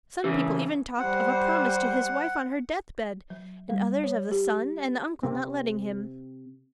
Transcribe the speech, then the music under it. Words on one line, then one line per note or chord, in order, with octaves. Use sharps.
Some people even talked of a promise to his wife on her deathbed, and others of the son and the uncle not letting him.
C#3 E3
G3 C5 F#5
F#3
G3
C#5
G4
C3 C4